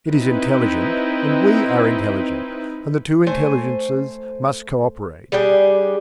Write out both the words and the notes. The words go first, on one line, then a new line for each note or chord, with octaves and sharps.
It is intelligent and we are intelligent, and the two intelligences must co-operate.
C4 D#4 E4 B4
A3 C5 G#5
G3 D4 G4 G#4